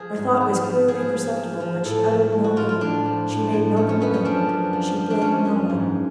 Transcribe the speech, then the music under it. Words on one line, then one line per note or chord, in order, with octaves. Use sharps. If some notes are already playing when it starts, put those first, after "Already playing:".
Her thought was clearly perceptible, but she uttered no name, she made no complaint, she blamed no one.
Already playing: F3 G#4
G#2
F3
F3
F3 G#4
F3
F3
F3
A2 A4
F3
A2
F#4
A2 F4
F4
A2 D4
F3
A2
A2
F3 C#4
C#4
F#2 B3
C#4
F3 D4
F#2
F3
F3
D4
F3 C#4
F#2
G#2